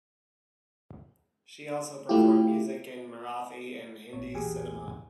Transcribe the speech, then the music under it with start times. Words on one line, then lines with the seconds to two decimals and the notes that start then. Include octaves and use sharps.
She also performed music in Marathi and Hindi cinema.
2.09 A3 E4 F4 G4
4.13 A1 A#2 C#5
4.34 B1 E2 A#2 G4 G#4 G#5